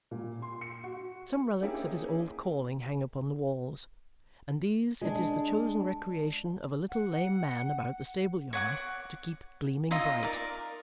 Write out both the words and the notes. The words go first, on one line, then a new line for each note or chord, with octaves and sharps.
Some relics of his old calling hang upon the walls, and these it is the chosen recreation of a little lame man about the stable-yard to keep gleaming bright.
A#2
C6
C#7
F#4
A#3 C#4 D#4 E4 G4 G#4
G#3 D4
F#5
C#5 F#5 D6
D#4 F4 D#5 E5
A#4 D5